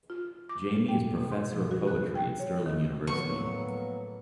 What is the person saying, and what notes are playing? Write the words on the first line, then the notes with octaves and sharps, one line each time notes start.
Jamie is Professor of Poetry at Stirling University.
F4
D6
A4
G5
B2
C6
F3
F#4
F#6
G5
C#5
D#3
A2 D3 F3 F#3 A#3 B3 C#6 C#7